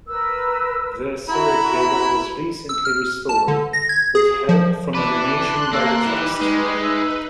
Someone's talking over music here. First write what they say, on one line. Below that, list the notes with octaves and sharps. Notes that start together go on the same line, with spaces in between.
The circle was recently restored with help from a donation by the trust.
A#4 B4 E6
E4 F#4 E5 A#5 B5
E6
F6
A5
D3
A#6
G#6
G#4
F3
D4 E4 B4
C6 F#6
A#3 A4
E3 G3 D#4 B4
G#3
E5